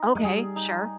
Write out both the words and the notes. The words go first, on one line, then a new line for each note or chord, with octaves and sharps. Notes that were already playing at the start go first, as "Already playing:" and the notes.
Okay, sure.
Already playing: D#4
G#3
G3 G#4
D#4